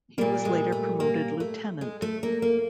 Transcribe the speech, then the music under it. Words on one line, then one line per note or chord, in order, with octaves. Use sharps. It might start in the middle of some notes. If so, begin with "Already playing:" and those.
He was later promoted lieutenant.
A#2 G3 A#3
G#3
A3
A#3
A3
G#3
A3
A#3
A#3